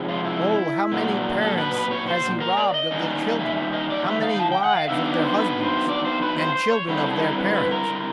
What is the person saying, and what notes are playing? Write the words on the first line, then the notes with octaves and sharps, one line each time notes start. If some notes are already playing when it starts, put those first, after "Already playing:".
O how many Parents has he robb'd of their Children, how many Wives of their Husbands, and Children of their Parents?
Already playing: C3 F3 G#3
F4
E4
A#2 F#3 A#3 D4
A4
B4
B4
C#5
C5
A#4
D5
D#5
D#3 G3 A#3 C#4
E5
E5
D#5
D5
E5
F5
A5
G5
F#5
F5
D#3 F#3 B3 D4 E5
D5
C5
B4
C5
D5
C5
B4
C5
C5
C#5
D3 G3 C4 E4 B4
A4
A4
A#4
B4
B4
A#4